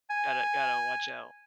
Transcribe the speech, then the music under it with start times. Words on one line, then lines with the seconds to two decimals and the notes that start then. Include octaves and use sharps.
Gotta gotta watch out.
0.10 G#5